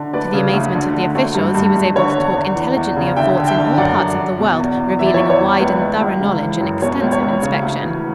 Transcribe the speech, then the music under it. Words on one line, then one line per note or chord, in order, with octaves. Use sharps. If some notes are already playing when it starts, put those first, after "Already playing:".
To the amazement of the officials, he was able to talk intelligently of forts in all parts of the world, revealing a wide and thorough knowledge and extensive inspection.
Already playing: D3
D2 B4 D5
C#3
D2
D3
D3
D2
G2
G2
G2
D3 C#5
E2
E2
E3
E2
C#3
D3 E5 G5
D3
E5 G5
D3
F#2 D5 F#5
F#2
F#2
B2
E2
E2
E3 E5
D5
C#5 E5
E2
C#5
E2
C#2 B4
C#2
C#2
C#3
E3
F#2
B2 C#5
C#2
C#5
C#2
C#3
D2
E3